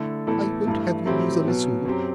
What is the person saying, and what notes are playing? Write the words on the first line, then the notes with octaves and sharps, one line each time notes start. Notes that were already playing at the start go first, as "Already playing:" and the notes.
I won’t have you use a lasso.
Already playing: D3 A3 E4 A4
A2 E3 B3 E4 A4
G2 E3 A3 E4
A2 F#3 C4 E4 G4
B2 F#3 B3
F#2 F#3 C4 G4